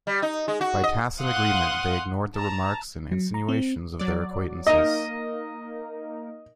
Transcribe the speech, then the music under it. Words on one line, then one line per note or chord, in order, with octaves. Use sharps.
By tacit agreement they ignored the remarks and insinuations of their acquaintances.
G3
D#4
G#3
F#4
D#5
F5 F#5 C6 D#6 F#6
A5 A#5
F#3
A#5
C4
F#3 D5
A#3 D#4 A#4 D#5